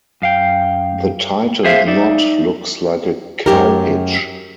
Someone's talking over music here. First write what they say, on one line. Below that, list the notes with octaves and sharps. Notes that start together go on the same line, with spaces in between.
The tightened knot looks like a cow hitch.
F#2 F5 G5
G#4 C5 E5 F5
D#4 D5 E5
F#2 G4 A#4